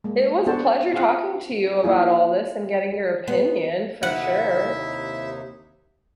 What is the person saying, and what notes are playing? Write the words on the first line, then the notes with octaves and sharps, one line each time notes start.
It was a pleasure talking to you about all this and getting your opinion for sure,
G#3 A#3
B3 D4 F#4 C5 G5 A5
F4 G#4 C5 F5 F#5
A#3 E4 F4 G#4
B3
D#2 C3 D#4 E4 E5 F#5